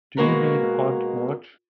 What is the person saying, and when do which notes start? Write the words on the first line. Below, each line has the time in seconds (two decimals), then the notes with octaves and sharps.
Do you mean Aunt March?
0.17 B2 G#3 A#3 F#4 A#4 B4